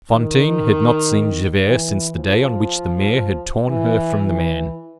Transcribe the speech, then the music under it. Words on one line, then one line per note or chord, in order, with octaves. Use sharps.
Fantine had not seen Javert since the day on which the mayor had torn her from the man.
D#3
E3
F3
E3
E3